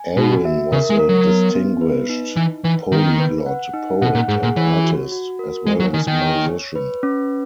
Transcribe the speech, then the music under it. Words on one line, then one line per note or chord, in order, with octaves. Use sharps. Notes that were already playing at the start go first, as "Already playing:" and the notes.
Alwyn was a distinguished polyglot, poet, and artist, as well as musician.
Already playing: G#5
B2 F#4
E5
C#3 A#4
G#3
A#4
F#3
B3
B3
B4
D#4
E3 E4
E3 B4
D#3 B3
B4
F#5
D#4
B2 F#5
A#2
G#2 G#4
A#2
E3 C#5
F#4
F#4
A#4
G#3 G#5
F#3
D#3 G#5
D#3
C#5
C#5
B4
C#4